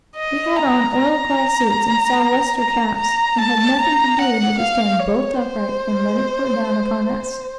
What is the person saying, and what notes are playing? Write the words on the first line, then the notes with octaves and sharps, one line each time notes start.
We had on oil-cloth suits and south-wester caps, and had nothing to do but to stand bolt upright and let it pour down upon us.
D#5
A#5
A#5
A#5
A#5
A5
A#5
F#5
F5
C#5
C5